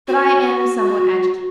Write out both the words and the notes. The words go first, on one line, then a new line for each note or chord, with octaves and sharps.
But I am somewhat agitated.
F#4